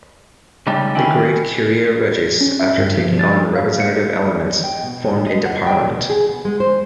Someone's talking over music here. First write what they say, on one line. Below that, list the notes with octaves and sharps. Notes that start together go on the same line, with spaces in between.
The great "curia regis" after taking on representative elements formed into Parliament.
C#3 G3 G#3 D#4 G4 A4
D#3 F#3 C#4 E4 G5
C#4
E5
G2
F3
A6
F5
C#7
D#5
G5
B2
A2
D#5
F#5
G5
B2
G#4
B3
G#3
C5